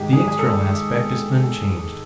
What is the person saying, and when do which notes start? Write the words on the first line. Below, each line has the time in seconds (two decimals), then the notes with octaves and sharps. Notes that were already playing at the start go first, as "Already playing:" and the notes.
The external aspect is unchanged.
Already playing: G#2 D#3 G#3 G4
0.13 G#4
0.28 G#4
0.39 A4